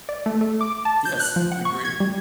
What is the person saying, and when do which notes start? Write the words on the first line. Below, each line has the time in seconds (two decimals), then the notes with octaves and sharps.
Yes, I agree.
0.09 D5
0.26 A3
0.41 A3
0.61 D6
0.85 A5
1.05 G6
1.20 F#6
1.36 F3
1.52 F#5
1.65 C#6
1.85 G#6
2.00 G3